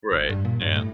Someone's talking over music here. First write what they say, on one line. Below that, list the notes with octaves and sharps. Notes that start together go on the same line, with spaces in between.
Right, yeah.
G#1
G2
A#2
G2
A2